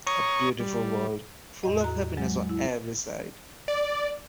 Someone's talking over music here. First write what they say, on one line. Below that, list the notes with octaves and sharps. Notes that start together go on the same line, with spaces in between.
A beautiful world, full of happiness on every side.
C#5 A#5 C#6 D#6
G3
E2 A2 D#5
F#4 A#5
F#3 G#3
E4
D5